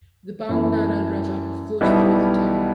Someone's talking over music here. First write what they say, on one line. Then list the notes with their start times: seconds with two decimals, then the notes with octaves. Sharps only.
The Bang Nara River flows through the town.
0.49 F#2 E3 A3 E4
1.81 B1 B2 G3 B3 E4